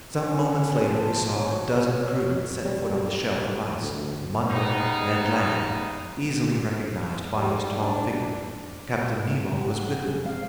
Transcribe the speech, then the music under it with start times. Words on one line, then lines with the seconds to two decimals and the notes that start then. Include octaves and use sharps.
Some moments later, we saw a dozen crewmen set foot on the shelf of ice, among them Ned Land, easily recognized by his tall figure. Captain Nemo was with them.
0.16 C#4
0.84 F3 A5
1.33 D4 C#5
1.52 F#4
2.66 G3
3.83 D2
4.50 C#3 G3 B3 D#4
7.34 G3
7.78 D4
9.57 G4 F#5
9.84 F3 G#4
10.22 B2 E3 F3 G#3 C4 F5